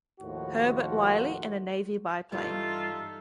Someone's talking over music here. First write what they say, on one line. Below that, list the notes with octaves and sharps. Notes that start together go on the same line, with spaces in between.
Herbert Wiley, and a Navy biplane.
D#2 A2 D#3 F3 F#4
G2 E3 G3 D#4 F4 A4 E5